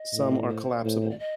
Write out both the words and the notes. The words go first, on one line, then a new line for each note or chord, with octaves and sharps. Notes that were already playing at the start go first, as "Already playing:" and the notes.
Some are collapsible.
Already playing: D#5
A2
C5
A2 C5
C5
D5
D#5